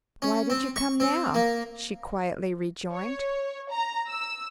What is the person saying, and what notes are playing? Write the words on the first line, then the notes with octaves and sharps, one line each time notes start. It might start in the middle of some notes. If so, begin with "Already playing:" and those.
"Why did you come now?" she quietly rejoined.
C#4
C4
C#6
C4
A#3
C#5
A#5
E6